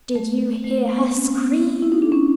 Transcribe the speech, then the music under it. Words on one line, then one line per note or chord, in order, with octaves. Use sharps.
Did you hear her scream?
A3
A3
B3
C4
C#4
B3
B3
E4
D#4
D4
C#4